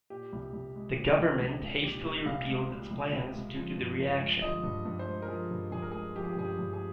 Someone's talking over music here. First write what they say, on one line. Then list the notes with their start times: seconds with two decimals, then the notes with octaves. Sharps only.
The government hastily repealed its plans due to the reaction.
0.10 A#2 G4
0.33 C2
0.53 C2
0.76 G#3
0.97 A#2
1.18 C2
1.41 C2
1.61 G#3
1.83 A#2 G4
2.04 C2
2.26 C2 F5
2.48 G#3
2.69 A#2
2.91 C2
3.13 C2
3.35 G#3
3.56 F3
3.77 G2
3.99 G2
4.20 G#3
4.42 F3 D#5
4.63 G2
4.85 G2
4.99 C5
5.07 G#3
5.22 A#4
5.28 F3 G#4
5.51 G2
5.72 G2 G#4
5.82 A#4
5.91 G#4
5.94 G#3
6.15 F3 G4
6.24 G#4
6.30 G4
6.37 G2 G#4
6.45 G4
6.59 G2
6.73 G#4